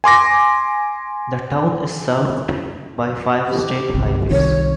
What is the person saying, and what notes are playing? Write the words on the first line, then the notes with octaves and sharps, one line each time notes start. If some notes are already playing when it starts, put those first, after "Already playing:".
The town is served by five state highways.
G#5 C6 D6 A#6
G4
G1 C2
C2 C3 D#3 C#5